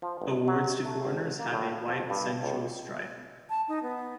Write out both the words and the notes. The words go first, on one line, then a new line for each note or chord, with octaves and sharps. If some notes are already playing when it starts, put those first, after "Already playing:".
Awards to foreigners have a white central stripe.
F3
G1
F#3
A3
G#1
A#3
A2
F5
F2
G2
C#2
A5
D#4
B3